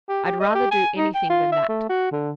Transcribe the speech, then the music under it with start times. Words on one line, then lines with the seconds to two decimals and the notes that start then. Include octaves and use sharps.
'I'd rather do anything than that.'
0.09 G4
0.25 G4
0.40 D#5
0.55 G4
0.71 G#5
0.97 D#4
1.15 G5
1.30 F4
1.52 E5
1.69 A3
1.89 F#4
2.12 D3